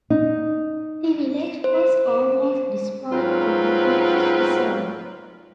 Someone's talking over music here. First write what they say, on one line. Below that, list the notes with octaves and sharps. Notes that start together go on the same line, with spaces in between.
The village was almost destroyed in the Turkish assault.
D#4
C5
G#2 F#3 C4 F4 A#4 B4